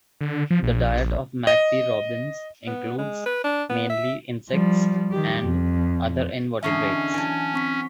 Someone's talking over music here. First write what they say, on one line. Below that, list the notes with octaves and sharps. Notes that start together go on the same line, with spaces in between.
The diet of magpie robins includes mainly insects and other invertebrates.
D3
F3
A#1
D#5
B3
G#3
B4
D4
B3
E5
F3 G3
D#3 G4
F2
E2 D3 C#4 D#5 E5 C#6 C7
E3 F#3 G#5 A5
C4 C#6 B6